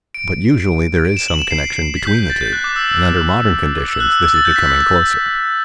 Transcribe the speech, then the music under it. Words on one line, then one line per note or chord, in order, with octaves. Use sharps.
But usually there is some connection between the two, and under modern conditions this is becoming closer.
D7
D7
E7
F#7
E7
C7
B6
G6
G6
A6
G6
F#6
D6
E6
D6
E6
F#6
E6
E6
A6
G6
B6